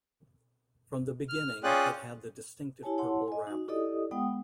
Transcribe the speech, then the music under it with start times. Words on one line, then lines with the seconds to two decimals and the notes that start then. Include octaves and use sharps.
From the beginning, it had the distinctive purple wrapper.
1.29 F6
1.64 C#4 F4 G#4 D5 G5 F#6
2.83 E4 G4 C#5 G#5 A5
2.98 E4 C#5 F#5 A5 C6
3.28 D#5 G#5
3.47 D#4 F#4
3.68 E4 G4 A4 D5 D#5 D#6
4.11 G#3 B3 F#5 G5 D#6